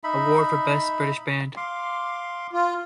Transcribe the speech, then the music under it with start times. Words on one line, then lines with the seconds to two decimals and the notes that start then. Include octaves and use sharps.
Award for "Best British Band".
0.04 D#4 E5 B5
1.57 F5 C6 D6
2.53 F4